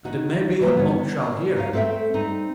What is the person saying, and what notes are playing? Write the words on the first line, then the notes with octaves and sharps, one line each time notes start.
And it may be that Mung shall hear.
D#3 D#4 F#4
E3 F#3 G3 A#3
B3 C#5
D#4 C#5 F5
A3 C4 A4 C5 E5 G5
G3 C4 D#4